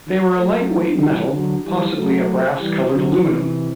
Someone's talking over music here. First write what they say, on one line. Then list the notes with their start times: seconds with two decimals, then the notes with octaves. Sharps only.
They were a light weight metal, possibly a brass coloured aluminum.
0.37 F#3 A3
1.01 E3 G3
1.32 D3 F#3
1.65 E3 G3
1.96 F#3 A3
2.59 E3 G3
2.91 D3 F#3
3.23 C3 E3